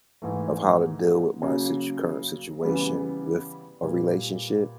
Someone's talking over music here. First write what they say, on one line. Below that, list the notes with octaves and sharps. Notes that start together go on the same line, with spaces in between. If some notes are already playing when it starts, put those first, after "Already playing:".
of how to deal with my situ current situation with a relationship
G#2 E3 A3
C#3 F#3 A#3
C#3 E3 G3 B3
A#2 G3 B3